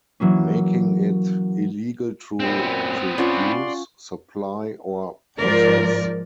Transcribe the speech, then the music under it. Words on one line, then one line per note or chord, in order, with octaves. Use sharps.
Making it illegal to produce, supply or possess.
E3 F#3 A#3 C#4
F#2 A#2 B3 C4
C#4 F4 D5 F#5 C6
G#2 F3 A#4 D5